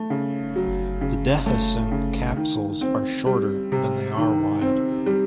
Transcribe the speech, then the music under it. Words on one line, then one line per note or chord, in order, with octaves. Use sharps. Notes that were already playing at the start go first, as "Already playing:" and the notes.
The dehiscent capsules are shorter than they are wide.
Already playing: A3
C#3
F#3
C#3
A3
C#3
D#3
C4
G3
C3
D#3
C4
G3